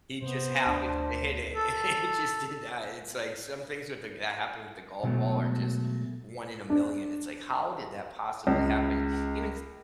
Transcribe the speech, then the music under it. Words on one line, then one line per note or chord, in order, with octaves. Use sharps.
he just happened to hit it and it just did that. It's, like, some things with the that happened with the golf ball are just one in a million. It's like, how did that possibly happen? Even s
C3 B3 C5
D2 D4
A4
B2 D3 F#3 G#3 A3 B3
D4
C#2